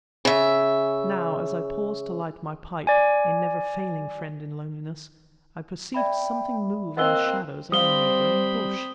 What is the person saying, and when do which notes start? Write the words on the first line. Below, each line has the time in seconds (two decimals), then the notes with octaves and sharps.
Now, as I paused to light my pipe--a never-failing friend in loneliness--I perceived something move in the shadows of a neighbouring bush.
0.25 C#3 E5
2.87 D5 G#5
5.94 D5 E5 G5 B5
6.97 A#3 C4 D#5 E6 F#6 G7
7.72 G3 C4 C5 F5 B5 D#6 G7